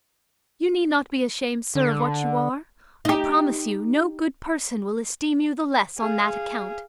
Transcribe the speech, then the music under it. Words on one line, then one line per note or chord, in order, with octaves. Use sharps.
You need not be ashamed, sir, of what you are; I promise you no good person will esteem you the less on that account.
D3
D#4 G4
G#4 F5